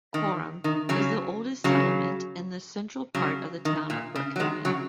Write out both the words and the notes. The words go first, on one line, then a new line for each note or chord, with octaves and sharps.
Coram is the oldest settlement in the central part of the town of Brookhaven.
D#3
D#3
C#3 F#3
C#3 F#3
C#3 F#3
D#3
A#2
C#3
F#3
D#3 G#3
C#3 F#3